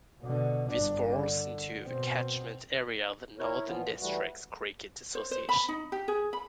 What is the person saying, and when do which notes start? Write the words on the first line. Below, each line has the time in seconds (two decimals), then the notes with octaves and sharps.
This falls into the catchment area of the Northern Districts Cricket Association.
0.22 B2 D3
0.70 G1 D4
1.10 D3
1.86 B2 C4
3.39 E4 A#4 C#5
3.67 A#2 E3 F3 B3 F4
3.86 G2
4.00 E3 G3 A3 F#4
5.15 C5
5.31 C5
5.49 B5
5.69 D#4
5.92 G4
6.08 G#4
6.33 B5